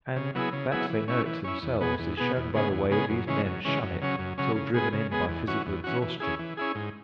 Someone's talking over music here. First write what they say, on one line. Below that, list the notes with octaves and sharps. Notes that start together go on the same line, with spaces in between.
And that they know it themselves is shown by the way these men shun it till driven in by physical exhaustion.
C#3
F#3 B3 E4 G#4
C#3
F#3 B3 E4 G#4
E3
C#4 E4
E3
C#4 E4
E2
B2 B3 G#4
E2
B2 B3 G#4
E2
C#3 G#3 B3 G#4
E2
C#3 G#3 B3 G#4
F#2
C#3 E3 G#3 C#4
F#2
C#3 E3 G#3 C#4
F#2
C#3 F#3 C#4
F#2
C#3 F#3 C#4
C#3
G#3 B3 G#4
C#3
G#3 B3 G#4
E2
E3 C#4 F#4
E2
E3 C#4 F#4
E3
C#4 E4 G#4
E3
C#4 E4 G#4
G#2